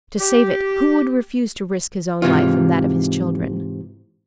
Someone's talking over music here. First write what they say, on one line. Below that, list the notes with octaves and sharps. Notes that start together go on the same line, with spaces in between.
To save it who would refuse to risk his own life and that of his children?
G4
G#2 C3 E3 F4